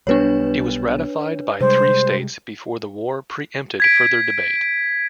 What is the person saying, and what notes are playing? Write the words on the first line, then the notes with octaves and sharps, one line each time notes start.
It was ratified by three states before the war pre-empted further debate.
B1 G3 B3 D4 B4 C#5
C3 G3 G#3 C5
G#6 B6 D7